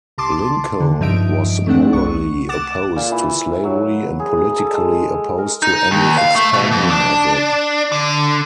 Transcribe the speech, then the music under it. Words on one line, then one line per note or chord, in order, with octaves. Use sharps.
Lincoln was morally opposed to slavery and politically opposed to any expansion of it.
C2 A5 C6 D6
D3
G2 F3 D#4 E5 D7
A3 C4 D4 F#5
C2 C#6
F#5 D6 A6 E7
A#2
E3
F#3
G#4
A#5
A4
G#3
A#4
D#4
D#2
F5
A3
B2
F2
D4
D3